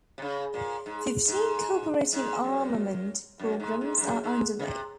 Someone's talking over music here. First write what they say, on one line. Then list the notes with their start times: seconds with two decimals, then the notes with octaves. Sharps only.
Fifteen cooperative armament programmes are under way.
0.18 C3
0.22 C#3
0.54 A#2
0.86 G#2
1.28 G#2
2.12 G#2
2.44 F#2
3.39 F#2
3.60 G#2
3.81 G#2
3.97 G#2
4.02 F#2
4.24 G#2
4.59 C#3
4.65 C3